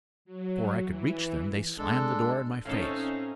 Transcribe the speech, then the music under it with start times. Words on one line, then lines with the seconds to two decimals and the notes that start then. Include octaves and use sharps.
Before I could reach them they slammed the door in my face.
0.25 F#3
0.82 E3
1.78 G#3 D4 A4
2.65 A2 C4 C#4 D#4 A4 F5